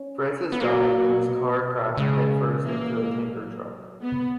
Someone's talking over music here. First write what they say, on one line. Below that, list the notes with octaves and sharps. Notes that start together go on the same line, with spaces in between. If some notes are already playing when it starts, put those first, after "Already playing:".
Francis died when his car crashed head first into a tanker truck.
Already playing: C#4
B3
F#3 A#3
B2
D#3
C#3 G#3
E3 A#3
G#3
F#3
G#3 B3